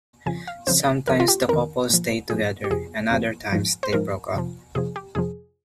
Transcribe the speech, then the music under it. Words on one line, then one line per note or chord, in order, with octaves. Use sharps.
Sometimes the couples stayed together, and other times they broke up.
F2 C#3 F3 G#5
F5
F2 C#3 F3 C5
F2 D#3 A#4
F4
G4
F2 D#3 A#4
A#2 F3
A#2 F3 G#4
G4
F2 C3 F3 G#4
F2 C3 F3
G#2 F3
C5
G#2 F3 A#4
F2 C3 F3
F2 C3 F3 G#4
G4
F2 C3 F3 G#4